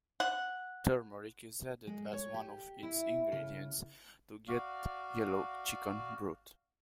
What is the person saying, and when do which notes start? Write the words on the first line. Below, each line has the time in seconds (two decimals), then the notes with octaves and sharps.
Turmeric is added as one of its ingredients to get yellow chicken broth.
0.20 F#5
1.87 G#3
2.13 C#5
2.34 G4
2.83 E4
3.32 C#3
4.48 F#4 D5 F5